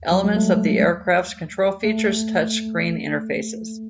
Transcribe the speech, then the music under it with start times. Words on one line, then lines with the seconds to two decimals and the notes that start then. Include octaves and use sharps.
Elements of the aircraft's controls feature touchscreen interfaces.
0.11 F#3
0.24 G#3
0.36 A3
1.84 A3